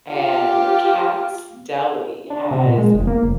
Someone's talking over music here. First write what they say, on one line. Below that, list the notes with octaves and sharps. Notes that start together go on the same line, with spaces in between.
And Katz Deli has
F4 G4
D4
C3
A#2
G#3
F1
A#3
F1